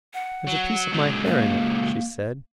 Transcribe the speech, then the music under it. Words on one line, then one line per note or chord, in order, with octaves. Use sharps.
"There's a piece of my hair in it," she said.
F#5
F#3
C#2 F#3
A#3